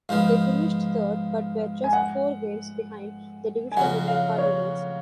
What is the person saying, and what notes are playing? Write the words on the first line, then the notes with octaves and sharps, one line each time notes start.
They finished third, but were just four games behind the division-winning Cardinals.
G#2 F3 B3 F5
G#5
F#5
G#5
F2 C#3 F#3 F#5
F5
C#5